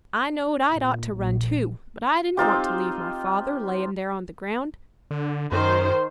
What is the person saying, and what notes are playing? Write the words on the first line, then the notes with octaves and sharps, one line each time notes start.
I knowed I'd ought to run too, but I didn't want to leave my father layin' there on the ground.
A#2
A#1
C4 D#4 F4 G4
D3
F#2 D#3 C5